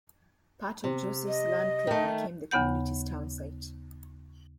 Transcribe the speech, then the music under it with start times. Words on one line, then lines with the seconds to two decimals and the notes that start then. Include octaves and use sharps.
Part of Joseph's land claim became the community's townsite.
0.84 C3
1.28 D#5
1.87 D#3 A3
2.51 D#2 C#3 B3 F#5 G6